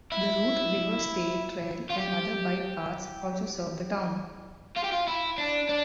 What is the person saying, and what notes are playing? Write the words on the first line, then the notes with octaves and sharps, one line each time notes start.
The Root River State Trail and other bike paths also serve the town.
E4
F4
G4
F4
G4
F4
E4
D4
D4